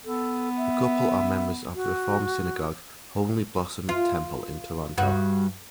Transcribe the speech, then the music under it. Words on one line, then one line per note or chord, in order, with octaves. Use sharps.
The couple are members of the Reform synagogue, Holy Blossom Temple in Toronto.
B3 A4
E5
F#4
F4
G2 F#4